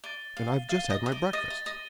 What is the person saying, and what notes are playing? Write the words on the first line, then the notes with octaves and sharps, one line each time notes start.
And I've just had my breakfast.
D5 A6 D#7 G7
F5
F5 A6 D#7 G7
D#5
D#5
D5
D#5 A6 D#7 G7
D#5
D#5